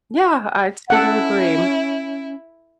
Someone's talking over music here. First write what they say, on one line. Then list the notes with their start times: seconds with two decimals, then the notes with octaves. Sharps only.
Yeah, I tend to agree
0.90 C#4 E4 A4 F#5